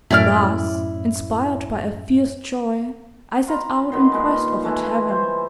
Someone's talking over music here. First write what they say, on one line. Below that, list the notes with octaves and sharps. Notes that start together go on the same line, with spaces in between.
Thus, inspired by a fierce joy, I set out in quest of a tavern.
F#2 A2 C#4 E4 D5 F6
F4 A#5 B5
D#3 B3 C6
A#2 G#3
E3 G#3 A3
C5